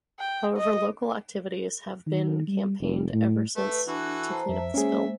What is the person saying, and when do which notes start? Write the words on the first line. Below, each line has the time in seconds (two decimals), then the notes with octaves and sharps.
However, local activists have been campaigning ever since to clean up the spill.
0.19 G5
0.57 D#5
2.07 D#3
2.47 G3
2.81 F1
3.13 A2
3.56 A3 B4
3.87 E3 D4 F#4 A4
4.31 C5 A5 A#5
4.49 F2 E5
4.74 G#3 A#3 C#4 G#4 C5